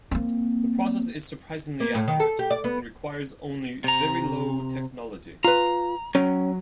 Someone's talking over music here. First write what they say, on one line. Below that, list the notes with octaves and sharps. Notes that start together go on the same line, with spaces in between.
The process is surprisingly accurate and requires only very low technology.
A#3 C4
A#3
A2
D#3
A4
G4
D5
B3
C3 A#5
F4 B4 A#5
F#3 C#4 G5